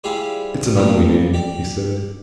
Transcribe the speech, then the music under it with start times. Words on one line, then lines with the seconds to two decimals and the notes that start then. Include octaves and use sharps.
"It's an ugly name," he said.
0.04 G3 E4 F4 G4 G#4 C5
0.76 G2 A#2 F3 G3 A3
1.34 G4 D5